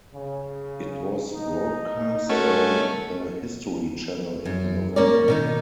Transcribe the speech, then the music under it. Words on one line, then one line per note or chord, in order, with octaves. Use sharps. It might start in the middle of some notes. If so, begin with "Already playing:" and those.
It was broadcast on the History Channel in November.
C#3
D#4
G#3 A3 C#4 D#4 F#4 A#4
F#2
A#3 C#4 A#4 C#5 D5
B2 D#3 D#4